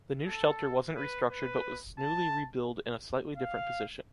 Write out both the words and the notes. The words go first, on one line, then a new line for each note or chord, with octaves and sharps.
The new shelter wasn’t restructured but was newly rebuild in a slightly different position.
A4
B4
B4
A5
F5